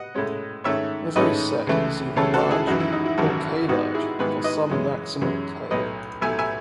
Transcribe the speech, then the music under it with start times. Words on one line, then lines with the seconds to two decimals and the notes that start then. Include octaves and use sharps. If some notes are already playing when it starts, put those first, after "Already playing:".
Every set is either large or "k"-large for some maximal "k".
Already playing: D#5 F#5
0.15 A2 G#3 C#4
0.64 G#2 D#3 A3 C#4 C#5 E5
1.16 G#2 D#3 A3 C#4 B4 D#5
1.67 C#2 C#3 E3 A3
2.16 C#2 C#3 E3 A3 A4 C#5
2.34 F#4 A4
2.50 E4 G#4
2.67 G#1 F#2 E3 D#4 F#4
2.80 E4
2.93 D#4
3.05 E4
3.18 G#1 F#2 E3 F#4 A4
3.68 G#2 D#3 G#3 B3 D#4 F#4
3.94 E4 G#4
4.19 G#2 D#3 G#3 B3 G#4 B4
4.44 B4 D#5
4.70 F#2 E3 G#3 C#4
5.21 F#2 E3 G#3 C#4
5.71 B1 A2 F#3 B4 D#5
6.21 B1 A2 F#3 E5 G#5
6.39 E5 G#5